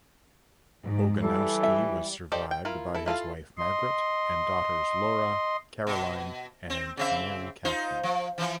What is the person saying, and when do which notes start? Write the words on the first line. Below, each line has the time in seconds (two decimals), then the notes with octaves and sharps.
Ogonowski was survived by his wife Margaret and daughters Laura, Caroline, and Mary Catherine.
0.83 G#2
1.22 E3 G3 A4
1.63 E5
2.32 G4 A4 C5 D5 D#5
2.51 G5
2.65 E4 F4 A#4
2.95 E4 A4
3.06 E4 F4 A4 F5
3.58 D#5 C6
5.87 B2
6.70 C4
6.97 C#3 C4 E5
7.65 D#4 F4 C5
8.03 F3
8.38 E3 F3